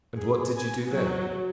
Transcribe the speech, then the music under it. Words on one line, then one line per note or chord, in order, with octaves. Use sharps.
"And what did you do then?"
G#4
G#5
F#3